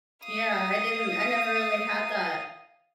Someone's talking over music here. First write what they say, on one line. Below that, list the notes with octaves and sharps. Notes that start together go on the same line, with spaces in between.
yeah, I didn't I never really had that.
F5 D#6